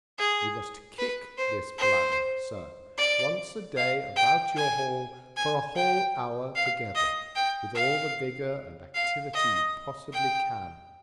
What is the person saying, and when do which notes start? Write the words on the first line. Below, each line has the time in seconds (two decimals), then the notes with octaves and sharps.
You must kick this Bladder, Sir, once a Day about your Hall for a whole Hour together, with all the Vigour and Activity you possibly can.
0.18 G#4
0.99 B4
1.38 C5
1.78 C5
2.98 D5
3.77 F5
4.16 G5
4.57 G#5
5.37 G#5
5.76 G5
6.55 F5
6.95 D#5
7.35 G5
7.75 F5
8.95 F5
9.34 D#5
10.13 G5